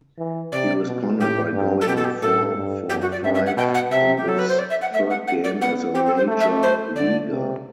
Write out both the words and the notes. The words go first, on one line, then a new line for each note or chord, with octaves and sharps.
He responded by going four-for-five in his third game as a major leaguer.
E3
C3 D5
B2
A2 G4
G2
A4
B2 G4
A4
G4
A2 A4
G2
F#2 G4
F#4
D5
G2 E5
E5
F#5
B2 G5
F#5
C3 E5
G4
F#3 A4
B4
C5
D5
E5
F#5
A3 E5
F#5
F#5
D5
B3 F#5
C4 G4
A4
C5
A3
E5
C5
D3 D5
C3